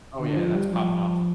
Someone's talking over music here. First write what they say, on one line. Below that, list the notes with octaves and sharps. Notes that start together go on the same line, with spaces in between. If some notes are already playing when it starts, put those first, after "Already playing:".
Oh, yeah, that's popping off.
D3
F3
G3
F3